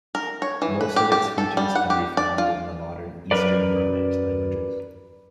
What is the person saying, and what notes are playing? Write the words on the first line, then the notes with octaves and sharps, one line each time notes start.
Most of its features can be found in the modern Eastern Romance languages.
A#4
C#5
E3
B4
G4
G4
A4
G3
F#5
G4
D5
F4
F#2 A#4 B4 D5